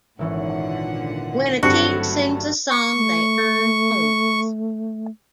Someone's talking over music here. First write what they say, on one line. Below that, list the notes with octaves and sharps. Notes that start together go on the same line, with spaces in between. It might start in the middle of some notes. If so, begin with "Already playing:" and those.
When a team sings a song they earn points.
G#1 A#2 D3 E3 C#4 F#5
G2 D3 F#3 A3 C4 F#4 C#7
C#6
A3